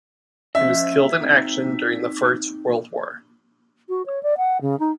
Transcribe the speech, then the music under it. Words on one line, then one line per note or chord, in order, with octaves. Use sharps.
He was killed in action during the First World War.
F3 C#4 D#5 E5
C4 D#4
F#4
C#5
D5
F#5
C#3
D#4